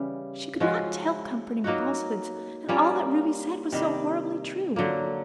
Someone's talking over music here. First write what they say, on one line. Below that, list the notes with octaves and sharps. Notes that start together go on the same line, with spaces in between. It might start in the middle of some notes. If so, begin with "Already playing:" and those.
She could not tell comforting falsehoods; and all that Ruby said was so horribly true.
Already playing: C#3 E3 G3
F3 G#3 C#4 F#4
F#3 A#3 D#4 F#4
G3 A#3 C#4 F4
C3 D#3 G3
D3 F#3 A#3